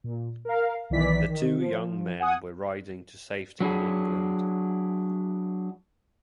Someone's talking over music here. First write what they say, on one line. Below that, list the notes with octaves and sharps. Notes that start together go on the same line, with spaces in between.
The two young men were riding to safety in England.
A#2
A#4 F5
B1 D#3 E3 D5 B6
D#3
F3
F#5 G#5 D#6
F#3 D4 E4 G#4